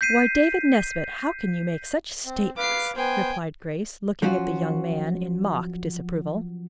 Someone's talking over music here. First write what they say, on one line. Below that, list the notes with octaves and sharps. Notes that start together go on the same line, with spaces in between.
"Why, David Nesbit, how can you make such statements?" replied Grace, looking at the young man in mock disapproval.
G6 B6 C7 D#7
C4
B4 F5 D6 C7
B3 C5 G5 G#5
F3 F#3 C#4 F4 F#4